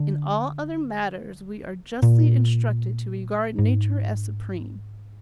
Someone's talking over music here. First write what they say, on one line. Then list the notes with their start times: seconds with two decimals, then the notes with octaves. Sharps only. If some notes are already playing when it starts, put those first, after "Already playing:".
In all other matters we are justly instructed to regard Nature as supreme.
Already playing: D3
2.02 A#2
3.58 G#2